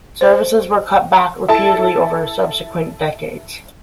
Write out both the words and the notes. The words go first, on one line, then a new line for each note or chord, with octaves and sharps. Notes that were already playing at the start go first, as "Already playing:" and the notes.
Services were cut back repeatedly over subsequent decades.
C5
E4 A4 A5